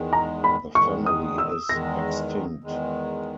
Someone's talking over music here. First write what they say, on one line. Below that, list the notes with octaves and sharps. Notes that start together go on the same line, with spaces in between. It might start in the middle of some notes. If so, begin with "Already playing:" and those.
The family is extinct.
Already playing: E2 D#3 G#3
A#5
B5
E2 D#3 G#3 C#6
D#6
E6
E2 D#3 G#3 A#6
E2 D#3 G#3